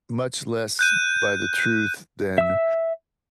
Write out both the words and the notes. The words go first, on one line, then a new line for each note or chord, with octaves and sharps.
much less by the truth than
F#6 G6 D#7
E5 E6